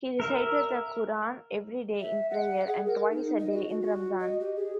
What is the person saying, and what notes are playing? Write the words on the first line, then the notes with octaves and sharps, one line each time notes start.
He recited the Qur'an every day in prayer, and twice a day in Ramadan.
A#4 E5
E5
F#5
G#4
A#4
D#4
D#5
F#4
F#4
F#4
D#5
G4
G#4